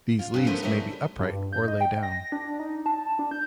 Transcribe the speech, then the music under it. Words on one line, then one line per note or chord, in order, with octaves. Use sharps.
These leaves may be upright or lay down.
F4
G2 C#3
E3 F3 A3 B3 A#4 C5
E3 G3 A3 C#4 D#4 E4
G2
G6
D#5
G5
A#6
D4
D#4
A5
D4
G6